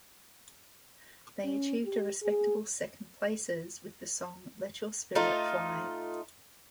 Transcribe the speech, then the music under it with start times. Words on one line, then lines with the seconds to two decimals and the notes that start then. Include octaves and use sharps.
They achieved a respectable second places with the song "Let Your Spirit Fly".
1.44 C#4
1.84 G4
2.22 G#4
5.15 A3 D#4 F4